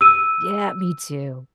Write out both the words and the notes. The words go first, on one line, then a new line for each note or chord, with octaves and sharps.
Yeah, me too.
E6 D#7